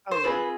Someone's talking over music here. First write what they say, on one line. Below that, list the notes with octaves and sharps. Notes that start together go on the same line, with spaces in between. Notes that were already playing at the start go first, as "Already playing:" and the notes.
Oh, yeah.
C5
C4 F4 G#4 B4